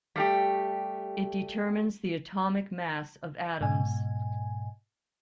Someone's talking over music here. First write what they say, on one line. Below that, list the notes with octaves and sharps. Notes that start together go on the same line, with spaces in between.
It determines the atomic mass of atoms.
G3 A3 G4
G#2 B2 G#5